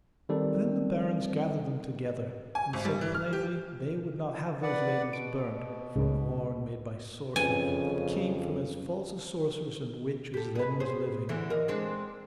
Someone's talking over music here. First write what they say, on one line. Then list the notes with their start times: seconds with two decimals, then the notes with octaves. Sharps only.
Then the barons gathered them together, and said plainly they would not have those ladies burnt for an horn made by sorcery, that came from as false a sorceress and witch as then was living.
0.29 D#3 G3 C4 A4
2.55 G#5
2.73 G#1
2.85 G3
3.01 E3
3.15 F6
3.33 G4
4.63 B4 D5 F#5
5.13 B2 D7
5.96 C#2 G#2 C#3
7.36 F2 C#3 C#4 A4 B4 G#5
10.34 G4 A4
10.55 G#4 B4
10.80 G#4 C5
11.29 D3 E3
11.50 A#4 D#5
11.68 G#3 C4 D4